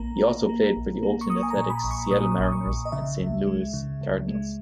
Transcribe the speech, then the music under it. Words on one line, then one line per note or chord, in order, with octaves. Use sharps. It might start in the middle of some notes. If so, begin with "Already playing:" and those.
He has also played for the Oakland Athletics, Seattle Mariners, and Saint Louis Cardinals.
Already playing: A#1 A#3 A#5
A#3
A#3
A#1
A#3
C#6
A#3 D#6
G#5
A#5
A#2
B5
A#1
C#6
A#2 D#6
D#6
A#1
C#6
A#1
D#5
C#3 E5
C#2
G#3
C#3
C#2
G#3